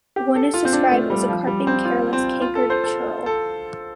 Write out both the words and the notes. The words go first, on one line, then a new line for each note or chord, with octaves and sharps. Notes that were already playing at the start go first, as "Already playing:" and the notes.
One is described as a carping careless cankerd churle.
G4
A4
F4
C4
D4
A3
G3
F3
G3
C4
F4
C4
F4
A4
C5
A4
A4